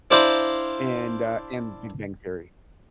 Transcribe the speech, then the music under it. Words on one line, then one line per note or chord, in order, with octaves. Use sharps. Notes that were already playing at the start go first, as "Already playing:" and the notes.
and, uh and Big Bang Theory.
D4 E4 C5 D5 F5 A#5